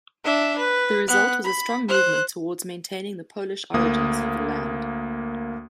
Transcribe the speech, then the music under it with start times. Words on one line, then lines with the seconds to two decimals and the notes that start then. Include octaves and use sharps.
The result was a strong movement towards maintaining the Polish origins of the land.
0.24 D4 E5
0.58 B4
1.08 B3 F#6
1.44 B5
1.88 C5 F#6
3.74 D2 A#3 D#6